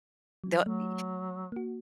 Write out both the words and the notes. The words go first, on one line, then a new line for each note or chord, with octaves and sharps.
the e
F#3
F#3 A3
A#3 F#4